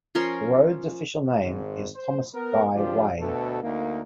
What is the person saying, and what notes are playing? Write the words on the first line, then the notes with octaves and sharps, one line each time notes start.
The road's official name is Thomas Guy Way.
F3 C#4 A#4 C6
G#1 G#2
C5
B3 A#4
G#1 C#2 F3 D4 F4 G4
D2 B2 A4
D2 A#3 D#4